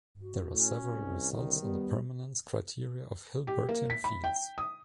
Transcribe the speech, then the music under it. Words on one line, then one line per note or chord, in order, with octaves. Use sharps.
There are several results on the permanence criteria of Hilbertian fields.
F#4
A2 C#4
C2
D3 D#3
G3 B3
G4
A#3
B6
B5
G5
D#6